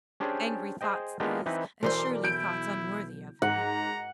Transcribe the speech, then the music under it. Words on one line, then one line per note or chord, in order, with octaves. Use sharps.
Angry thoughts these--and surely thoughts unworthy of me?
C#4 D4 G4 G#4 C5 D5
G#4 C5 D#5 G5
G#3 A#3 B3 D4 F4 G4
E3 C4 D#4 B4
B1 E3 A#4 C5 D5 C6
E4 G6 D7
G#2 F#5 A#5